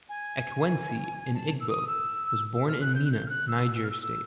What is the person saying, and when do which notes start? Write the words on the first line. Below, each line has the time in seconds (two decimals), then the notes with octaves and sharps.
Ekwensi, an Igbo, was born in Minna, Niger State.
0.09 G#5
1.34 A5
1.60 E6
1.69 D#6
1.87 E6
2.55 E6
2.67 F6
2.81 F#6
2.95 G6
3.05 F#6
3.12 G6
3.26 F6
3.30 F#6
3.48 E6
3.75 E6
3.83 F6
3.90 E6
4.01 E6